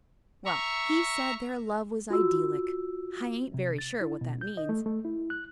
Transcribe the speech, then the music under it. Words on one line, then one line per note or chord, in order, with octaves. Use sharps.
Well, he said their love was idyllic, I ain't very sure what that means.
E5 A#5 C#6
F4 F#4 E6
C3
A6
E4
B2
G6
D#5
A3
A3
E4
F#6